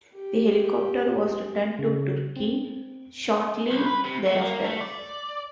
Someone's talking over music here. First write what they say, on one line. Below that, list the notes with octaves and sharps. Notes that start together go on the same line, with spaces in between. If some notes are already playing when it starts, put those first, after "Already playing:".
The helicopter was returned to Turkey shortly thereafter.
G4
C#3
C4
C2
B4
C3
A3
A#3
A3
D5